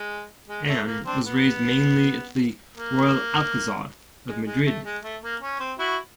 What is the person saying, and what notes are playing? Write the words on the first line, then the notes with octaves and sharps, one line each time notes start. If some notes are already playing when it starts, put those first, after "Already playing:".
Anne was raised mainly at the Royal Alcazar of Madrid.
Already playing: G#3
G#3
A3
A#3
C4 D4
B3
A#3
G#3
G#3
A3
G#3
A3
A#3
C#4
C4
E4 F#4